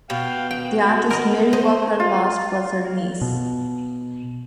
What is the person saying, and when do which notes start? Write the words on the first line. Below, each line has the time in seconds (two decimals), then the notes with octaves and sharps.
The artist Marie Walker Last was her niece.
0.10 B2 F5 G5
0.51 G5
0.69 F#4
1.11 B3 A#4 D#5
1.53 C5 D#5
2.00 F4
3.22 B2